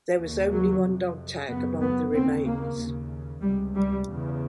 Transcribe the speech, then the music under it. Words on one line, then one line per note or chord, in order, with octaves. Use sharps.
There was only one dog tag among the remains.
D#2 C#3
F#3
F2 C3
F#2 C#3 B3
B3
D#2 C#3 C4
A#3
D#2 C#3
C#2 C3 G3
G3
E2 C#3